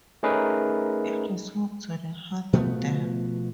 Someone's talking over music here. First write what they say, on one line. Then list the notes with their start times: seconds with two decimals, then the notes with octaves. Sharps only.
It is home to the Hardap Dam.
0.23 A3 C#4 D#4 G#4 A#4 B4
2.53 B2 F3 A3 B3